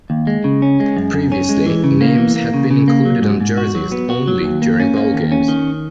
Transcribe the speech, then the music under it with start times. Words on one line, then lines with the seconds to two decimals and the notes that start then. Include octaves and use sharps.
Previously, names had been included on jerseys only during bowl games.
0.10 D#2
0.27 G#3
0.44 C#3
0.62 C#4
0.80 G#3
0.97 F#2
1.14 F#2
1.32 C#4
1.49 G#3
1.66 E3
1.84 C#3
2.01 A#3
2.18 E3
2.36 A#3
2.54 C#3
2.71 C#3
2.88 A#3
3.05 F#3
3.22 G#2
3.41 G#2
3.58 F#4
3.75 F#3
3.92 B3
4.10 F#4
4.28 F#3
4.44 D#2
4.62 A#3
4.80 C#4
4.96 A#3
5.14 D#2
5.32 C#4
5.48 D#3